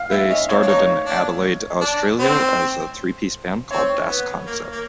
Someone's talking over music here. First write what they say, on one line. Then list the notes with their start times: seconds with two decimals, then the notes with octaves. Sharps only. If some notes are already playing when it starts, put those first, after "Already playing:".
They started in Adelaide, Australia as a three-piece band called "Das Concept".
Already playing: F5
0.11 B3 E5
0.30 C#4 D#5
0.49 C4 C#5
0.62 D4
0.67 D#4 C#5
1.06 D4
1.81 D4
2.19 C4 C5
3.71 C4 C#5
4.08 B3
4.47 A#3
4.72 A#3